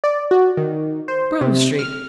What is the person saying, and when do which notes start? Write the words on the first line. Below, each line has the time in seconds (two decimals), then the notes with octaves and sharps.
Groome Street.
0.04 D5
0.31 F#4
0.57 D#3
1.08 C5
1.41 C3
1.79 F6